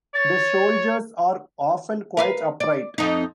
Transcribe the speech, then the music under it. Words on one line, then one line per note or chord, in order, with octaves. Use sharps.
The shoulders are often quite upright.
C#5 A6
A#4 B4 F5
D5
F2 D#4